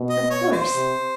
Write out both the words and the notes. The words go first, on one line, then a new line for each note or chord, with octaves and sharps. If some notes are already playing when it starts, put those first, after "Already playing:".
"Of course!"
Already playing: B2
D#5
C#5
C5
C3